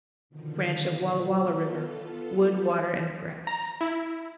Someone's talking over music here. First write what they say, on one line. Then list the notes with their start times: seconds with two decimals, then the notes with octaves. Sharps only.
Branch of Wallah Wallah River.--Wood, water, and grass.
0.29 B2 D3 D#3 F3
1.34 B3 F4 A4
3.47 A#5
3.81 E4